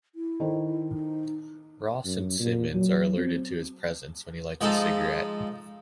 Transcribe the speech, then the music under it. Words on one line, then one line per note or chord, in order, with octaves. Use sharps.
Ross and Simmonds are alerted to his presence when he lights a cigarette.
E4
D#3 A4 C5
D#4
F#2
A#2
F#3
C4
F3 G#3 D#4 A4